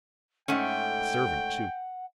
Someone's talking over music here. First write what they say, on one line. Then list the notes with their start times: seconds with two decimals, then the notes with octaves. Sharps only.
A servant too.
0.48 G#2 A3 C#4 F#5 G5